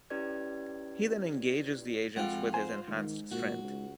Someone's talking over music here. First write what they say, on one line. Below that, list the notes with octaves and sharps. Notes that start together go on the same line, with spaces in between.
He then engages the agents with his enhanced strength.
C#4 E4 G4 B4 D5 G#6
F2 G#3 F4 F#5 G5
C5 G#5
G#2 D#3
A#2 F#4
C#2